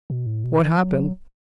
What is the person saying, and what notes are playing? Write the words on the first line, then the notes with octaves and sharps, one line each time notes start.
"What happened?"
B2
A2
B2
E3
F#3